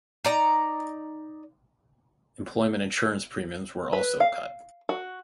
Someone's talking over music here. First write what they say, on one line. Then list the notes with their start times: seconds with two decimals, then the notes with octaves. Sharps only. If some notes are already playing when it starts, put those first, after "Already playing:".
Employment Insurance premiums were also cut.
0.25 D#4 D5 A#5
3.93 B4
4.20 F5
4.89 F#4